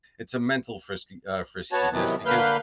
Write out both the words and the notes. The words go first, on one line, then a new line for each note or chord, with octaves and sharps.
it's a mental frisky uh, friskiness because
B3 F#4 C#5 A5
C3 D#3 E3 F#3 B3
D3 A#3 B4 F5 G6